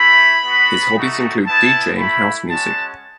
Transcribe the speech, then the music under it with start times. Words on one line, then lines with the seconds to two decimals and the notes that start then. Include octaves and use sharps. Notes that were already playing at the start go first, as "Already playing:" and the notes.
His hobbies include deejaying house music.
Already playing: A3 E4 B5
0.44 B3 F#4
0.95 A3 D#4 F#4
1.46 B3 E4 A5
1.97 A3 E4 B5
2.49 G#3 C#4 F#4 A5